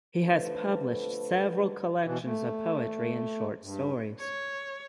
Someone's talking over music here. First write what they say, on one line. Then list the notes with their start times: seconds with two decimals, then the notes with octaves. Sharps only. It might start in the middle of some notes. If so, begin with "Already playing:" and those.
He has published several collections of poetry and short stories.
0.21 D3 F3 A3 A4 B4
2.04 B2 E3
2.24 A3
3.61 G2
4.19 C#5